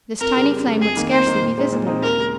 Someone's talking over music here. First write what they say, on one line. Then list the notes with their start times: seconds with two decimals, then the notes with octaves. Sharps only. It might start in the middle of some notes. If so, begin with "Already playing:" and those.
This tiny flame would scarcely be visible.
0.21 F2 A#4
0.36 C#3 G3
0.51 F2
0.66 C#3 G3
0.81 F2 G#4
0.96 D#3 A#3 D#4
1.11 F2 C5
1.27 D#3 A#3 D#4
1.42 A#2
1.57 G#3 C4 D#4
1.72 A#2
1.87 G#3 C4 D#4
2.02 D#2 A#4
2.17 C#3 G#3